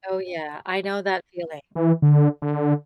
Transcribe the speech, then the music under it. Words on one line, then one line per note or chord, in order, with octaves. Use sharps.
Oh, yeah, I know that feeling,
E3
D3
D3